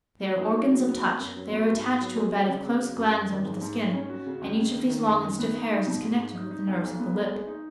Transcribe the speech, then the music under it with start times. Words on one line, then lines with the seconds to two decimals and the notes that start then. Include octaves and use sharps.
They are organs of touch; they are attached to a bed of close glands under the skin; and each of these long and stiff hairs is connected with the nerves of the lip.
0.23 F#3
0.39 D#4
0.56 F#3
0.71 C#3
0.87 B3
1.04 B3
1.19 F#2
1.36 F#3
1.52 B3
1.67 G#2
1.84 B3
2.00 F#3
2.16 G#3
2.32 G#3
2.48 C#3
2.65 C#3
2.80 F#3
2.97 F#2
3.13 F#2
3.29 G#1
3.45 G#2
3.62 G#2
3.78 G#2
3.94 C#4
4.10 F#4
4.26 C#3
4.41 C#2
4.58 C#3
4.74 D#3
4.90 D#3
5.06 F#2
5.22 D#3
5.39 B3
5.54 D#4
5.71 D#4
5.87 B2
6.03 G#2
6.18 G#2
6.35 D#4
6.51 D#4
6.67 B1
6.83 B1
6.99 B3
7.15 G#3
7.32 G#3
7.47 D#4